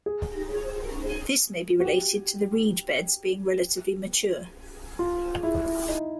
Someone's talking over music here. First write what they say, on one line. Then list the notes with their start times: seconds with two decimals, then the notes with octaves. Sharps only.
This may be related to the reed beds being relatively mature.
0.06 G#4
1.80 F#4
1.85 G4
4.99 F4
5.43 E4
5.66 E4
5.89 D#4